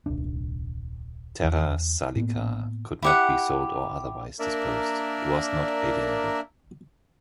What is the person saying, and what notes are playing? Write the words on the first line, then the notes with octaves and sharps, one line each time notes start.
"Terra salica" could not be sold or otherwise disposed; it was not alienable.
D#1 C2 D4
E2
A2 A#3 B3
E4 G4 F#5
A#3 D4 A#4 D5 E5